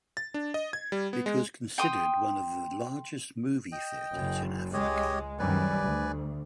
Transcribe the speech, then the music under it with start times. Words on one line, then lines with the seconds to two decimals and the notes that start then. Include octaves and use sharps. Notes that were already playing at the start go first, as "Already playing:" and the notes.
It was considered one of the largest movie theaters in Africa.
0.17 A6
0.34 D4
0.54 D#5
0.73 G#6
0.92 G3
1.13 B3
1.26 G#3
1.78 G5 C6 D#6
3.72 D#5 G5
4.12 F#1 F#2
4.73 C#2 G#3 G4 C#5 D#5
5.39 F#2 D#3 G3 B4 D5 G#5
5.80 D2